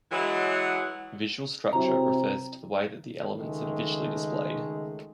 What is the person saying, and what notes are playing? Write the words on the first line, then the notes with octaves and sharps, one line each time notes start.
Visual structure refers to the way that the elements are visually displayed.
E3 F#3 G#3
C3 F#3 C4 E4 A#5
C#2 D#3 G#3 A3